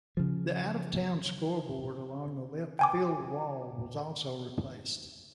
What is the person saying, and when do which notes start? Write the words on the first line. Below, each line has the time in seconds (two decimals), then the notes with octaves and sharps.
The out-of-town scoreboard along the left field wall was also replaced.
0.17 C#3 F3
2.79 G5 G#5 D6